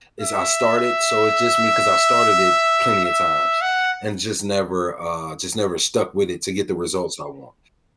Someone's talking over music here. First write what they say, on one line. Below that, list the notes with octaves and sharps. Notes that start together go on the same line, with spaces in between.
is I started so it's just me 'cause I started it plenty of times and just never, uh, just never stuck with it to get the results I want,
E5
E5
E5
F#5